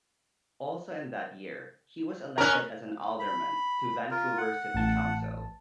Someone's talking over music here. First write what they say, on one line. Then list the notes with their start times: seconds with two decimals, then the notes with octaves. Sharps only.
Also in that year, he was elected as an alderman to Vancouver City Council.
2.38 C#4 A#4 A#5 F6 F#6
3.20 B5
4.11 F4 A#4
4.38 F#5
4.74 A1 A5